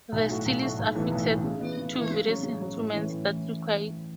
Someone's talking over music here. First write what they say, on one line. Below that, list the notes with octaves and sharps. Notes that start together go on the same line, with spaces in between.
The seal is affixed to various instruments that require it.
B1
A2 A3 F#4
B1
A2 A3 F#4
B1
A2 E3 B3 A4
B1
A2 E3 B3 A4
C#3
E3 B3
C#3
E3 B3
C#3
F#3 C#4
C#3
F#3 C#4
A2
E3 C#4
A2
E3